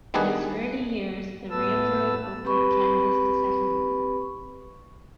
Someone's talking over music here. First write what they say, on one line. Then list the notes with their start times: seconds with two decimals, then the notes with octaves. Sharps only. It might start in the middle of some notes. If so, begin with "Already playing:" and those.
In its early years, the railroad opened Kansas to settlement.
0.14 D#3 G3 B3 D4 G#4 B4
1.50 A2 A3 B3 B4 A5 E6
2.45 C4 G4 B4 B5 C#6